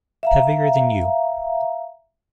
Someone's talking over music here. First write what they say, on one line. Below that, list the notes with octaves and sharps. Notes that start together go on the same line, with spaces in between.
Heavier than you.
E5 F5 A#5